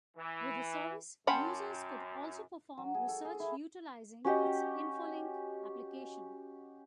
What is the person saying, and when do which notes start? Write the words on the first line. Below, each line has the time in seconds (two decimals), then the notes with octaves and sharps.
With the service, users could also perform research utilizing its InfoLink application.
0.17 E3
1.27 F#2 C#4 F#5 G5 A5 B5 C6
2.78 F#3
2.94 G#4
3.09 A4
3.25 G#4
3.40 E4
4.25 C#4 F#4 G4 D#5